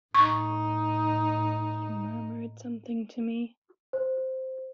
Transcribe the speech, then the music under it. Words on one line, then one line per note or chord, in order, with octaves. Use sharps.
He murmured something to me.
A2 D#4 C#6
C5